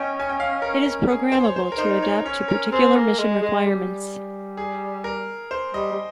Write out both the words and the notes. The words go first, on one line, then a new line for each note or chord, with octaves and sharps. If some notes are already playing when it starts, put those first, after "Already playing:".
It is programmable to adapt to particular mission requirements.
Already playing: C#4 D#5 G5 G#5
G#5
G5
F5
A#4
A#4
G#4
C5
C#5
C5
A#4
D#4 C5
C#5
C#4 C#5
A#4
C4 G#4
A#3
G#3
G#3
G3
G#4
A#4
C5
G3 D#5
G3